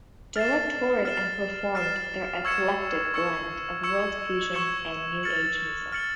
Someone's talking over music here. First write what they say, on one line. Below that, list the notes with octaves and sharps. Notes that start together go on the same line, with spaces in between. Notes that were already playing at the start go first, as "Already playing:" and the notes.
Do’a toured and performed their eclectic blend of World Fusion and New Age music.
F6 A6 C7 E7
F6 A6 C7 E7
F6 A6 C7 E7
C#6 E6 G#6 C#7 E7
C#6 E6 G#6 C#7 E7
C#6 E6 G#6 C#7 E7
C#6 E6 G#6 C#7 E7
F6 A6 C#7 F#7
F6 A6 C#7 F#7